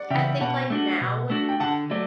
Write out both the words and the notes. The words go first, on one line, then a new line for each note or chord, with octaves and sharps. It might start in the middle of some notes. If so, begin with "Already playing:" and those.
I think, like, now,
Already playing: D5 F#5
C#3 E3 E5 G5
B2 F#5 A5
A3 D4 F#4
B2
A3 D4 F#4
G5
D3 F#5 A5
F#3 A3 D5